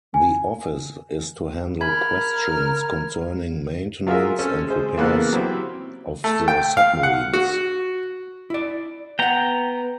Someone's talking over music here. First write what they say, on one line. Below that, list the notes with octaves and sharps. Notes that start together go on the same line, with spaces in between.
The office is to handle questions concerning maintenance and repairs of the submarines.
G#5
A#4 B5 F6 G#6
F#3 F4 G#4 A#4 E5
C4 C#4 A4
G#3 G#4 C5
C#3 E3 A#3 B3 A4 F#6
F#3 C4 E4 G4
A3
G5
F5
F#5
F#4
E4 D5
B3 F#5 G5 A#5